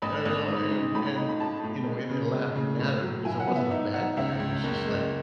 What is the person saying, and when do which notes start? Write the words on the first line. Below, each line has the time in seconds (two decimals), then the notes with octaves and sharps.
You know? And and, you know, in a way, they laughing matter because I wasn't a bad guy, it was just like,
0.02 A1 B5
0.25 A1
0.48 G#2
0.71 G#2
0.95 A2 B5
1.05 B5
1.17 D#4
1.29 B5
1.40 A2 A5
1.63 A2
1.87 G#3
2.10 C#3
2.32 G#3
2.55 C#3
2.79 A2
3.02 F#3
3.25 E4 G#5
3.40 F#5
3.47 B3
3.55 E5
3.71 D#4 E5
3.94 D#4 F#5
4.17 C#2 E5
4.40 C#2
4.64 F#1
4.87 G#3